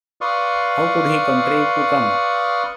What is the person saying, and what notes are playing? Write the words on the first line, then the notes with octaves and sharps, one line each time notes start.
How could he contrive to come?
B4 D5 F5 C6 C#6 D#6